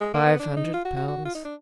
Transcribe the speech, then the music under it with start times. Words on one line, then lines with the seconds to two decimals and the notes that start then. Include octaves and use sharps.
Five hundred pounds!
0.01 G#3
0.14 A#3
0.26 B3
0.39 D4
0.56 D#4
0.74 F4
0.85 F#4
0.97 F#4
1.08 F#4
1.25 F4
1.35 D#4
1.45 D4